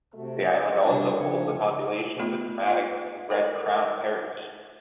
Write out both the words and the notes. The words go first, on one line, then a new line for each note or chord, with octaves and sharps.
The island also holds a population of the Kermadec red-crowned parakeet.
C3 A3 F#4
F2 C4 C#4 G#4
G3 D4 A#4 C#5
C#3 F3 D4
A3 B3 F4 B5
F4 E5 G5
A4 A#4 C#5 G5 B5